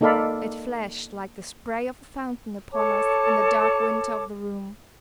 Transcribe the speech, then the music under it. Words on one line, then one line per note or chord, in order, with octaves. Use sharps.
It flashed, like the spray of a fountain upon us, in the dark winter of the room.
A#3 D#4 A4 D5 F5 B5
A4 C#5 A5 D6